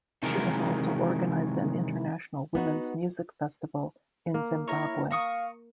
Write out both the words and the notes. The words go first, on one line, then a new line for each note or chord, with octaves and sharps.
She has also organized an international women's music festival in Zimbabwe.
C3 D#3 E3 F#3 G#3 A#4
B3 D#4 F#4
A#3
E4 A#4 C#5
F5 A#5 C#6 D#6